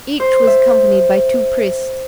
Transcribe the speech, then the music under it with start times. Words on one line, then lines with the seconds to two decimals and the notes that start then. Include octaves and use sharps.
Each was accompanied by two priests.
0.20 C5
0.47 E5